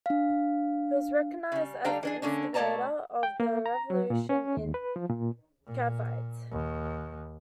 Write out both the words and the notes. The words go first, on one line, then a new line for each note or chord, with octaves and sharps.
He was recognized as the instigator of the revolution in Cavite.
D4 F5
C#3 G3
D3 G3 D4 F5 G5 A#5
E3 D4 G#4
D3 A#3 C#4 D4
B2 A3 C#5 D5 A5 A#5
G5
A#3
A#5
F#3
A#2
C#4
D#2
B4
F3
A#2
A#2
D#2